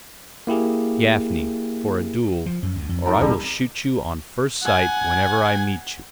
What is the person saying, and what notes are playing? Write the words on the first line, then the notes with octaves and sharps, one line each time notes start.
Gafney, for a duel, or I will shoot you on first sight wherever I meet you.
A#3 E4 G4 G#4
F3
F#2
D2
F2
D#4 A4 A#4
E1 B1 G3 C4
F#5 G#5